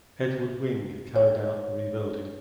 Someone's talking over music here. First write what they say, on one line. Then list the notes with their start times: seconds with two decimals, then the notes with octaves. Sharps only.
Edward Wing carried out the rebuilding.
1.16 C#5